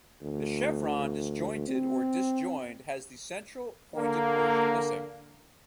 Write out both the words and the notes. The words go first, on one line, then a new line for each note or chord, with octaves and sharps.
The chevron disjointed or disjoined has the central, pointed portion missing.
D2
C4
D3 A#3